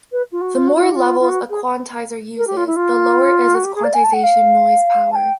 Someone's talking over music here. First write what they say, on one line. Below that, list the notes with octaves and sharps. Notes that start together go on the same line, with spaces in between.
The more levels a quantizer uses, the lower is its quantization noise power.
B4
F4
F#4
F4
F#4
F4
E4
G4
F4
F4
F#4
G#4
A#4
G4
F4
E4
F4
F#4
G4
G#4
D5
G#5
A5
F#5
F5
A5
G5